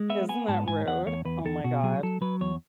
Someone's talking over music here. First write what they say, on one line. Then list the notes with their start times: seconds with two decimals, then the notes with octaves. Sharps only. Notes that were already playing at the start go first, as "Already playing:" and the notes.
Isn't that rude? Oh my god.
Already playing: G#3
0.10 B3 E5
0.29 B3 G#5
0.48 G#2 A5
0.68 G#2 G#5
0.87 E2 F#5
1.06 E2 C#5
1.25 E2 B4
1.45 E2 A4
1.64 B2 F#4
1.83 F#3 G#4
2.03 F#3 A4
2.21 F#3 B4
2.41 E2 C#5